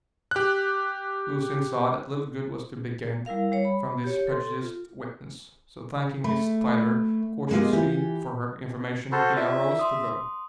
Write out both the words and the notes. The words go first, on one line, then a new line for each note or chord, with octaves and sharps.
Lucian saw that little good was to be gained from this prejudiced witness, so thanking Miss Tyler courteously for her information, he arose to go.
G4 F#6
G3 E4 A#4 F5
G3 C#5
B5
G4 C#5
A4 C6
F4
A3 B5
G#3 A#3 B3 F4 G4 D#5
E3 F4 G4
F#4 A4 C5 B5 F6 C7
F4 D5 E5
C6 D#6